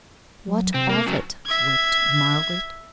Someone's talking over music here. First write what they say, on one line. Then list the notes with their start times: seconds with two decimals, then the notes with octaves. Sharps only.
"What of it!" wept Margaret.
0.48 F#3
0.74 C3 C4
0.89 A#3
1.06 C#3 F#3
1.46 E5 G#6